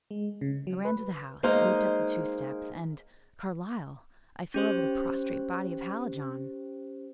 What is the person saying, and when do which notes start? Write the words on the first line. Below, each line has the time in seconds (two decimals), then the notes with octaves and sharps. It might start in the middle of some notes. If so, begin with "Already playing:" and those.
I ran to the house, leaped up the two steps, and--Carlyle--I fell over the prostrate body of Hallijohn!
0.11 G#3
0.41 C#3
0.67 F#3
0.85 B4
1.43 G#3 A#3 D#4 C5 F5
4.54 C#4 G4 C5